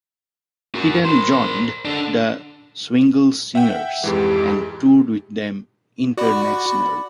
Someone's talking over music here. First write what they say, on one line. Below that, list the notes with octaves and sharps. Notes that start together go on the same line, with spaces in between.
He then joined The Swingle Singers and toured with them internationally.
F#4 A#4
A#4 C5
D4 A4
E5 F#5 G5
F2 G#2 E3 G#3 G4
F#4 D5 B5